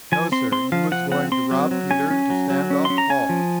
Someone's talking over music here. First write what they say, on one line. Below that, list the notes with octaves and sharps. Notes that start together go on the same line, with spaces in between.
No, sir; you was going to rob Peter to stand off Paul.
F3 G#5
C4 C6
C4 C6
F3 F5
F3 F#5
C4 F#5
C4 C6
F#3
F#3
C#4 G#5
C#4
F#3
F#3
C#4
C#4 C6
A#5
C#4 G#5
F3